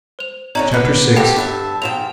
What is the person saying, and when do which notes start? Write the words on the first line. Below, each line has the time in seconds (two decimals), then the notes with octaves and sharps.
Chapter VI.
0.19 C5 F7
0.55 D3 C#4 D#4 D5 A#5 F#7
0.72 B3 D4
1.16 D3 A3 G4 A4 F#5 G5
1.36 G2 E5 A5
1.82 G#2 F3 G5 E7 F7